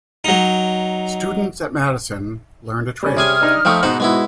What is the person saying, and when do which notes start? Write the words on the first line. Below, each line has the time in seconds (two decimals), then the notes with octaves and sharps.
Students at Madison learned a trade.
0.24 F#3 D#4
3.03 G3 C#4
3.17 C3 G#4 G#5 D#6 F6
3.41 D4 D#4
3.65 F3 A3 D#4 E5 G5 C#6
3.83 G#2 B2 D#4 C5 F#5
4.00 G#3 B3 E4 F#4